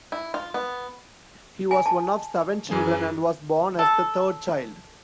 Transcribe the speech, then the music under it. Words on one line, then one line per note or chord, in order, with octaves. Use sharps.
He was one of seven children and was born as the third child.
E4
F4
B3
G#5
A5
F#2 E3 G#4
A4